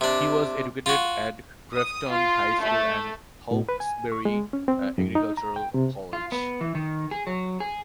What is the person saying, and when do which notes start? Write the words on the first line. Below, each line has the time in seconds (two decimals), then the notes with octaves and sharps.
He was educated at Grafton High School and Hawkesbury Agricultural College.
0.01 C3 D4
0.86 F4 F#4
1.75 D#6
2.10 F4
2.62 A3
3.51 A2
3.69 B4
3.80 G#5
4.12 C#6
4.25 G#3
4.53 C#4
4.68 C4
4.98 F#2
5.15 D#4
5.37 A#5
5.56 G5
5.74 C3
6.13 F4
6.32 B3
6.61 E3
6.75 D#3
7.11 G#4
7.27 F#3
7.60 G#4